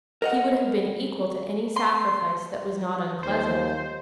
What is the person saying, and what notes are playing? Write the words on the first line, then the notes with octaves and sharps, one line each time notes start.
He would have been equal to any sacrifice that was not unpleasant.
A#4 D#5 F#5
C6
D#2 C5